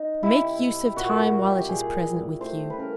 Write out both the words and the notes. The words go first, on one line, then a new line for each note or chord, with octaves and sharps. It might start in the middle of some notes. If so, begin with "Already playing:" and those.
Make use of time while it is present with you.
Already playing: D#4
C3 E4
C3
A#2 F#4
F#4
G3
G4
G4
A#2 G#4
G3
A3 C5
B4
C#3 A#4